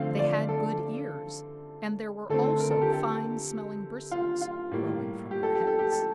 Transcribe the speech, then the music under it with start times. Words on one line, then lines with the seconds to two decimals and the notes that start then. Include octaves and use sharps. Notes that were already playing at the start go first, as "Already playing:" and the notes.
They had good ears, and there were also fine smelling-bristles growing from their heads.
Already playing: D3 F3 A3 C4 F5
0.19 D5
0.49 A4
2.29 D3 A3 C4 A4
2.60 A#4
2.71 A4
2.82 G4
2.93 A4
4.11 F4
4.42 F4
4.71 A2 G3 A#3
5.31 G4
5.43 A4
5.55 G4
5.67 A4
5.79 G4
5.92 A4